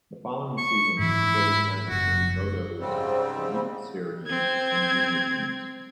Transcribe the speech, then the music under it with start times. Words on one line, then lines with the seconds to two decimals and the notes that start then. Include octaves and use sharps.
The following season, he split his time between Modo's Elitserien and junior teams.
0.58 C#6
0.99 G#2 E3 E4
1.89 F#1 F#4
2.79 G#2 C#3 G3 C4
4.27 C4 G#6